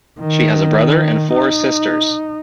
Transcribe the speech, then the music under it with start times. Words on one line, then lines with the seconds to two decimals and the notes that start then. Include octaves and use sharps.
She has a brother and four sisters.
0.20 D#3
1.34 D#4